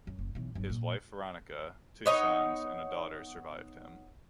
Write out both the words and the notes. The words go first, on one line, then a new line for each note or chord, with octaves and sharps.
His wife Veronica, two sons, and a daughter survived him.
F#2
F#1
B1 E3
G1 F#3
A#2
B3 D#4 C#5